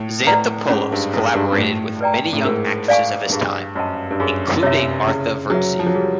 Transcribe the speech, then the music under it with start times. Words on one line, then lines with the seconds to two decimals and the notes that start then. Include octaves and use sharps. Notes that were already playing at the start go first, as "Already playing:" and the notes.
Xanthopoulos collaborated with many young actresses of his time, including Martha Vourtsi.
Already playing: A2
0.27 A2 B4 D5 F#5 A#5
0.70 G#2 C#4
0.92 G2
1.14 G#2 E4 A4 C5
1.35 G2
1.52 G#2
1.57 A2 F#4
2.01 B4 D5 G5 A#5
2.33 A2
2.45 G#2 A#4
2.88 D5 F5 G#5 C#6
3.32 G2 G#4
3.75 F#2 C5 D#5 F#5 A5
4.11 G2
4.20 F#2 G#4
4.63 C3 C#5 E5
5.06 C#3 E4
5.50 F#3 G#4 B4 E5
5.79 F3
5.87 F#3
5.94 G3 G#4